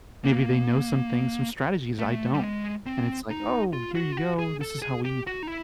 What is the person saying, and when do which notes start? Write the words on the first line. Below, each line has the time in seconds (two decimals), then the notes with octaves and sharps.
Maybe they know some things, some strategies I don't and it's like, "Oh, here you go. This is how we
0.24 A#3
1.99 A3
2.33 G3
2.43 G#3
2.86 C4
3.30 D#4
3.73 F4
3.95 F#4
4.12 F4
4.17 F#4
4.39 G#4
4.61 A4
4.82 G#4
5.05 G4
5.27 F#4
5.43 D#4
5.48 E4